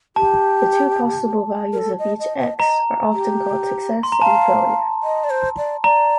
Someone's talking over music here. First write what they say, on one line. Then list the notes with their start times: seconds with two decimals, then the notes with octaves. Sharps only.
The two possible values of each "X" are often called "success" and "failure".
0.16 G4 A5
1.73 A#4
1.78 A4
1.99 D#5
2.19 D#5
2.39 D#5
2.59 D#5 A#5
3.13 G4
4.03 C6
4.12 A#5
4.22 F5 A5
5.03 D#5
5.24 D5
5.30 C5
5.58 D5
5.84 D5 A#5